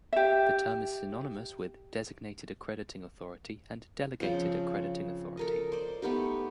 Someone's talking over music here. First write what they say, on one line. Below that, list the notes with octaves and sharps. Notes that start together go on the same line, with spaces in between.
This term is synonymous with "Designated Accrediting Authority" and "Delegated Accrediting Authority".
G4 E5
C#3 F3 C4
A4 A#4 D#5
C5 D5
A3 B3 D#4 G4